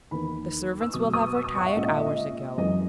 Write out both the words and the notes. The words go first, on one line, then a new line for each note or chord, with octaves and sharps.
The servants will have retired hours ago.
E2 D#3 A#3 B5
E6
B2 F#3 B3 D#6
D#6
E6
D#6
C#6
F#5
E5
A#2 G#3 C#4 D#5
D#5
E5
D#5
F#2 E3 G#3 C#4 D#5